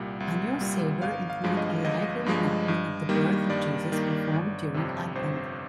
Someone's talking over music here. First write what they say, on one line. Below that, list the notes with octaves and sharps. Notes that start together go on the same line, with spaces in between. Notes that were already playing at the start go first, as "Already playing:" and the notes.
Annual sagre include a live re-enactment of the birth of Jesus performed during Advent.
Already playing: C2 A#2 G3
C2
A#2 G3
G1 F5
F5
G2 F3 G#3
D#5
G1 D#5
G2 F3 G#3
G2
D#3 G3 A#3
G2 D5
D#3 G3 A#3
G1
F2 C3
G1 C5